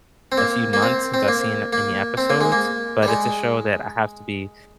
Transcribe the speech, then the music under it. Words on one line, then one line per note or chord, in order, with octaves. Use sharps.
a few months since I've seen any episodes, but it's a show that I have to be
C4
A#3
A#3
C4
C4
A#3
A#3
C4
A#3
G#3
A#3
G3
G#3